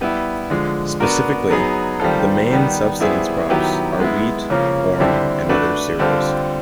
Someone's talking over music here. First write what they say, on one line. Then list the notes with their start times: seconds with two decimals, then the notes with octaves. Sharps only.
Specifically, the main subsistence crops are wheat, corn and other cereals.
0.01 G3 B3 E4
0.50 D3 F3 G#3
1.00 B3 D4 F#4 A#4
1.50 F#3 B3 D#4 G#4
2.00 D#3 G3 C4 F4 A4
2.51 D#3 G3 B3
3.00 G3 B3 E4 G#4 C5
3.50 D#3 F#3 B3 E4 G4
4.00 G#3 B3 E4
4.50 C#3 F3 A#3 C#4
5.00 D3 G3 C4 E4 A4
5.49 A3 D4 F#4 B4
5.99 D3 G3 C4 F4 A4